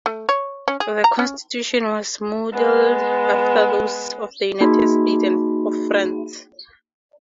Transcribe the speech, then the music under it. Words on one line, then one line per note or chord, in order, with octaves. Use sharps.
The constitution was modeled after those of the United States and of France.
A3
C#5
C#4
G#4
A#5
C#4
G#3 B3
A#3 D#4 F#4 G#4 B5